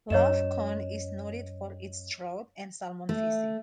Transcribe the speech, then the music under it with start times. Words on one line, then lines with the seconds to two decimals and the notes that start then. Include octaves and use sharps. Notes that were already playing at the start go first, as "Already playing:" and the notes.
Lough Conn is noted for its trout and salmon fishing.
0.10 F#2 C#5 D#5 E7
3.09 A3